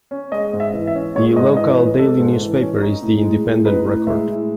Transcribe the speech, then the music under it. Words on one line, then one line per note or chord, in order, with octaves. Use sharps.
The local daily newspaper is the "Independent Record".
C#4
G#3 D#5
G#2
E5
E3
E5
C#4
G#3 C#5
G#2 D#5
E3 D#5
C#4 B4
G#3 A4
G#2
E3
C#4
D#4
A2
G#3
A2
D#4 B4
A2
G#3 E5
A2